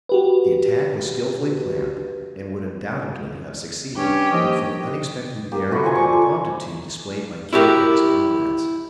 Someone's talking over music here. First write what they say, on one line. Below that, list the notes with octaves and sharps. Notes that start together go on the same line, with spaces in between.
The attack was skillfully planned and would undoubtedly have succeeded, but for the unexpected daring and promptitude displayed by Kit and his comrades.
F#4 G4 B4
G2 C#4 G4
D#2 F3 D#5
A#3 G4
E4 F#4 A4
F3 C5 G#5 A#5
D5 G#5 C#6 D6
A4
E4 F#4 G4 A#4